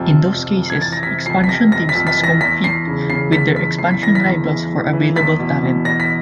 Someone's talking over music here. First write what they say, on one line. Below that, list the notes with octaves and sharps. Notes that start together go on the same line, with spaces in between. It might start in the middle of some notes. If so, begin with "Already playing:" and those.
In those cases, expansion teams must compete with their expansion rivals for available talent.
Already playing: F2 C3
F2
F2
F2
G#6
E3 A6
A#6
C3 B6
F2 C7
B6
C3 A#6
F2 A#6
B6
F2
B6
E3
A#6
E2 B6
E2 C7
C#3
C#3 C7
E2 B6
E2 B6
E2 C7
B6
E3 A#6
B6
E2
E3
E3
E3
E2 B6
B2
B2
B2 A#6
B6